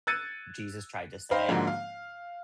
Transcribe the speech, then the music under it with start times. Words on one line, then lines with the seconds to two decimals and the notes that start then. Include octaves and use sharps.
Jesus tried to say,
0.07 E6 F#6 G#6 A6 C#7 D#7
1.31 D#4 C5 D#5 F5 G5 B5
1.49 G#2 D3 F3 G#3 A#3 F#4
1.67 F5